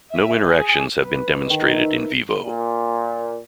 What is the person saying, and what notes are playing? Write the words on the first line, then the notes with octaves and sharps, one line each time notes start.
No interactions have been demonstrated "in vivo".
E5
G#4
B4
D#5
D#3
E5
A#2